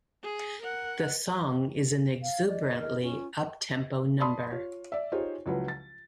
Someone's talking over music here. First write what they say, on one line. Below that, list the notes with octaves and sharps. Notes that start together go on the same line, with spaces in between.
The song is an exuberantly up-tempo number.
G#4
A#4 F#5
F5
D5 D#5
A#4
C#4 F4
D5 A5 B5 C6 D#6
F4 C#5
D5 E5
D#4 F4 G4 G#4 C5 C#5
C#2 F3 F#3 E4 B4
A6